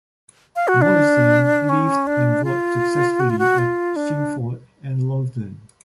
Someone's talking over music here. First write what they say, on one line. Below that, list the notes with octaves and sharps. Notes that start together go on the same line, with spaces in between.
Morrison lived and wrote successively at Chingford and Loughton.
F5
F#4
D4
C#4
D4
F4
F#4
F4
F#4
F4
D4